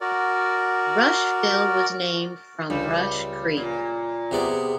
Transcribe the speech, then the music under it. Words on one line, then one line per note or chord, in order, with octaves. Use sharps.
Rushville was named from Rush Creek.
F#4 A#4 D5
C#2 G3
A#2
C3 B3 G#4 D5